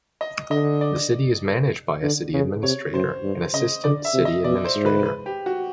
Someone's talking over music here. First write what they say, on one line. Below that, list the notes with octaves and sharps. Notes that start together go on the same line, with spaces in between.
The city is managed by a city administrator and assistant city administrator.
D#5
D3 D#5
D5
D3
C#3
C3 C#5
F#2 C5
G2
C#3 D#5
D3 D5
E5
C3
D#5
B2 D5
C5
G#2
B4
B4
G4
F#4